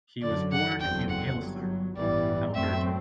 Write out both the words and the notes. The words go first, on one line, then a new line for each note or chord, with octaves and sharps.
He was born in Heisler, Alberta.
F#2 D3 F#3 D5
F#5
F#1 E2 D3 F#3 C4 G5
F#5
G1 G2 F#3
A1 G2 E3 G3 B3 D5
F#2 F#3 A3 C4 E5